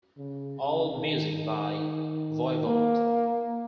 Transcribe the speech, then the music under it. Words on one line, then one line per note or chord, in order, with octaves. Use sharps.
All music by Voivod.
C#3
C#3
D#3
A#3